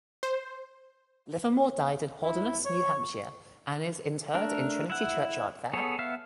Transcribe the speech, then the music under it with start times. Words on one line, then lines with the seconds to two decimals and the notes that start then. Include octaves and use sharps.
Livermore died in Holderness, New Hampshire and is interred in Trinity Churchyard there.
0.23 C5
2.23 E4
2.65 C#5 C#6
4.34 A3 D4 A#4
4.90 E4 E5 F#5
5.73 B3 G#4 A4 C#5
5.99 B3 E5 F5